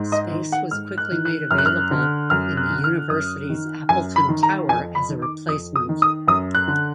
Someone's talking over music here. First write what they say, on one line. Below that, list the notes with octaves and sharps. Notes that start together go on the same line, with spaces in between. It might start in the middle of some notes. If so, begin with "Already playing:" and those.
Space was quickly made available in the University's Appleton Tower as a replacement.
Already playing: G#2
D#5
D#3
F#5
G#2 F6
F#6
D#3
F#6
F#2 F6
F#6
F6
D3
F#2 F6
F#6
D3
F6
F#2 D#6
D#3
F#2 G#5
B5
D#3
A#5
F2 G#5
B5
D#3
D6
F2 D#6
D#6
D#3
D#6
F#2 D#6
F#6
D3